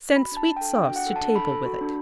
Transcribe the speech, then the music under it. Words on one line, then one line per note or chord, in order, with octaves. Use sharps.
Send sweet sauce to table with it.
F#4 B5
D4 A5
D4
A4 G5
D4 G5
F#4
F#5
A4
A5
D4
A4 B5
A4
F#4
D4